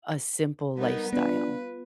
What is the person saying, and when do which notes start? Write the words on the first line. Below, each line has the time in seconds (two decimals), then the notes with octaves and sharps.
a simple lifestyle.
0.78 G3 B3 D#4 A#4
1.13 B3 D4 F4 B4